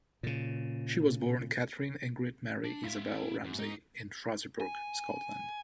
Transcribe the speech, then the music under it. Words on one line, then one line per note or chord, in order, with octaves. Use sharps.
She was born Katharine Ingrid Mary Isabel Ramsay in Fraserburgh, Scotland.
A#2 C#3
D4
E4 F5 B6
F#2
G#2 D#4
G#5